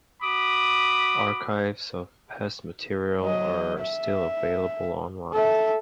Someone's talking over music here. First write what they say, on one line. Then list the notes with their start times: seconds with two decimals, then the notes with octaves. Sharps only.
Archives of past material are still available online.
0.23 F#4 B5 D6 D#6
3.21 F#3 D#5
3.80 E5
5.33 A4 E5